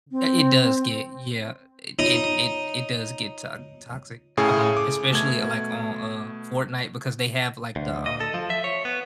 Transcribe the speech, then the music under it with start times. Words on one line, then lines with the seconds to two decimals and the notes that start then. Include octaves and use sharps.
Eh, it does get yeah, eh, it it it does get to toxic, um, especially, like, on, uh, Fortnite because they have, like, the, um
0.11 C4
1.99 D#4 F4 C#5
4.37 A2 C#3 G#4 A4
4.77 D6
5.11 B2 A3 G#6
7.76 D2
8.06 D#5
8.20 A4
8.34 F3
8.50 E5
8.64 C#5
8.85 B3